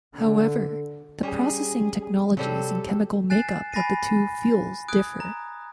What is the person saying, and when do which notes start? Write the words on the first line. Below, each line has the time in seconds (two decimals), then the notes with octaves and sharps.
However the processing technologies and chemical makeup of the two fuels differ.
0.16 D3
1.23 G3 C#4 G#4
2.37 C3 F#3 G3 C4 A4
3.30 G#5 F#6 A6 C7 E7
3.72 G#5 B5 A6 A#6 C7 D#7
4.88 D#6 F#6 G#6 D7
5.20 A#5